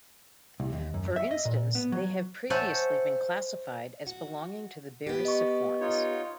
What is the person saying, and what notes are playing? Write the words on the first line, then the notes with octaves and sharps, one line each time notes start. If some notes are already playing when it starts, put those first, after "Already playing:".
For instance, they have previously been classified as belonging to the Beryciformes.
C2
D#2
F#2
E5
D#5
A#2
B3
F#3
C5 C#5 E5 F#5 G#5 A5
F#4
B3 G4
D#5 C#6
D#4 F4 C#5